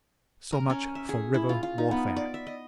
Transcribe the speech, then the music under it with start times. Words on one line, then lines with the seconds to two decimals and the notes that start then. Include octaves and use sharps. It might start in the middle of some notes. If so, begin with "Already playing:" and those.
So much for river warfare.
0.52 A#4
0.70 C#4
0.95 E5
1.09 G#4
1.34 E4
1.49 F4
1.63 F4
1.78 D#4
1.91 B3
2.16 D5
2.34 E5
2.47 D#5